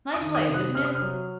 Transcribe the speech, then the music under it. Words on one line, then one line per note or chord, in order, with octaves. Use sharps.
Nice place, isn't it?
D#6
D#3
D#6
C3
F#6
C3 F6
D#6
F6
F#3